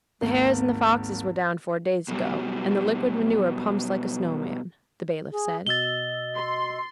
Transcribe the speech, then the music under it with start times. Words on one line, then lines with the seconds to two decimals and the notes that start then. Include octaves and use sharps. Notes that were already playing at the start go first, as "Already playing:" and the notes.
"The hares and foxes were down four days ago, and the liquid-manure pumps like a snow man," the bailiff said....
0.21 G#1 D#2
2.08 B2 F#3 G3
5.31 G#4
5.67 B2 F#4 D#5 E6 A6 G7
6.36 C6